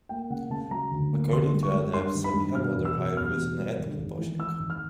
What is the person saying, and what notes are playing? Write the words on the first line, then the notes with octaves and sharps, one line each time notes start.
According to Adatepe, Sabiha's mother Hayriye was an ethnic Bosniak.
A#3 G5
C#3 F#5
C#3 A5
F#3 A#5
D2
A#3
G1 C6
G3
C#6
G3
G2 C6
D#3
B5
G2
B2 F6
E2
E6
B2
E2 F6
B2
G3
G#1
G#1
E3
E3 E6
G#1
F6